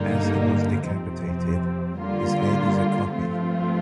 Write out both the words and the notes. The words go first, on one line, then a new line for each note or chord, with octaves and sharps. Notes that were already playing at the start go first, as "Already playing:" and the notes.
As he was decapitated, his head is a copy.
Already playing: G2 D3 G3 A#3 D#4
F2 C3 F3 C4
D3 G3 A#3 F4
G2 F3 A3 C4 F4